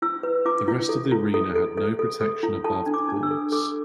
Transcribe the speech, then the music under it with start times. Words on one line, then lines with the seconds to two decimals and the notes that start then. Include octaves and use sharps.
The rest of the arena had no protection above the boards.
0.02 E4 E6
0.23 B4
0.45 E4 D6
0.68 E4
0.89 A4
1.11 E4
1.34 A4
1.55 A4
1.77 A4
1.99 A4
2.21 A4
2.43 E4
2.64 A4 A5
2.86 D4
2.94 D6
3.09 D4
3.23 E6
3.31 A4
3.52 A4 D6